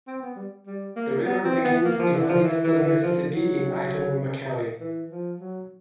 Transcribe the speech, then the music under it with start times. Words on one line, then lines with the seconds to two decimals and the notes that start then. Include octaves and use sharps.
The river begins in northeastern Mississippi in Itawamba County.
0.08 C4
0.22 B3
0.36 G3
0.67 G3
0.96 A#3
1.25 B3
1.45 C4
1.64 B3
1.85 A#3
1.99 F3
2.14 E3
2.29 F3
2.44 E3
2.64 E3
2.83 E3
3.03 F3
3.33 F#3
4.80 E3
5.10 F3
5.40 F#3